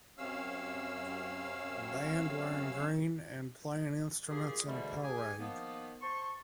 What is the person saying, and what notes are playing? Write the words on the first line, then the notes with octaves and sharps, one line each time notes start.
A band wearing green and playing instruments in a parade.
F#2 C3 C#4 F5 E6
A#2 F4 G4 G#4
G#2 B2 D3 E3 G3 A3
G4 G#4 G#5
D#3 F3 A#3 B3
C5 A5 C6 C#6